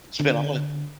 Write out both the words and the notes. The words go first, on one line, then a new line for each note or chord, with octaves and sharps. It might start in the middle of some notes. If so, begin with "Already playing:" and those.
…spent all of it
D3